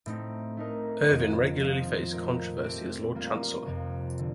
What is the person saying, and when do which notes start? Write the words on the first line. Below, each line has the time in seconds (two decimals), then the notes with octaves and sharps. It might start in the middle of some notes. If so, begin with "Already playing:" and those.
Irvine regularly faced controversy as Lord Chancellor.
0.06 A2 A3 C4 D#4
0.57 A3 D#4 A#4 D#5
1.09 F2 D#3 A#3 F4
1.57 F3 C4 F4 C5 D#5
2.12 A#2 A3 C4 D#4 A#4
2.63 A3 C4 G4
3.15 G3 A#3 F4
3.66 F2 C3 F3
4.19 D3